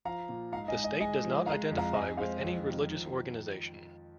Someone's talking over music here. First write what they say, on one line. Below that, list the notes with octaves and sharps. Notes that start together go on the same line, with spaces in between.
The state does not identify with any religious organization.
F3 F5 A#5
A#2
G#2 F5 A#5
D#5 G#5
G#2
D#5 G#5
G#3 D#5 G#5
F3
G#3 F5 A#5
F2
F5 A#5
F2 D#5 G#5
G#3 C5 F5
F2
D#3
F3